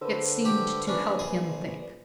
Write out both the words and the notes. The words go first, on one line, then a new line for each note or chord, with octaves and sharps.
It seemed to help him think.
D3 B4 C5
G4
A#1 C#4 D4 B4 D5
G#4